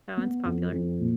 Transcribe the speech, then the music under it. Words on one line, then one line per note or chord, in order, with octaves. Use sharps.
that one's popular.
B3
F2
F2
A#2